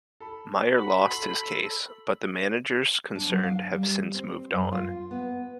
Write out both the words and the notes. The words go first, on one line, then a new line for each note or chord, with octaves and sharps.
Mayer lost his case, but the managers concerned have since moved on.
A4 B5
F#4 B5
A4 C6
D4
F#3
F5
G3
C4
F#2
F4
B3